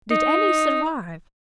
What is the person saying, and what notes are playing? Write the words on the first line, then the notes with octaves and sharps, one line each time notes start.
Did any survive?
D#4